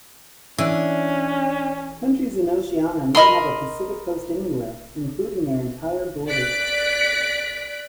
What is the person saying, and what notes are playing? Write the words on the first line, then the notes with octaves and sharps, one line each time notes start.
Countries in Oceania may have a Pacific coast anywhere, including their entire border.
E3 C#4 D4
A#4 D#5 B5 C6
D5 F#6 B6 D7